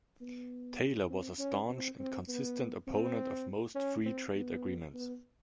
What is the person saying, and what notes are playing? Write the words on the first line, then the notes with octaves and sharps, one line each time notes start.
Taylor was a staunch and consistent opponent of most free trade agreements.
B3
C4
C#4
C4
C4
B3
C4
C#4
C4
B3
B3